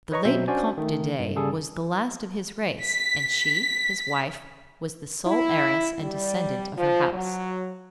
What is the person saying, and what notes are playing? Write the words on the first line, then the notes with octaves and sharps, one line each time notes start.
The late Comte de Dey was the last of his race, and she, his wife, was the sole heiress and descendant of her house.
B4 C#5 D#5 A#5 C#6
B2 F#3 C4 C5 E5
C#4 D4 F#4 C5 D5 G#5
D#3 A3
G2
C#3 G3 G#4 A4
B6
E4
G3
F3
F#3